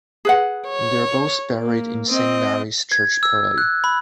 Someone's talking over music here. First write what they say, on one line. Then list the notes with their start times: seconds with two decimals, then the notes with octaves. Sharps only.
They are both buried in Saint Mary's Church Purley.
0.25 G#4 B4 F#5
0.69 C#5
1.59 A#3
2.09 C4 D#5
2.92 G#6
3.23 E6
3.58 F#6
3.84 B5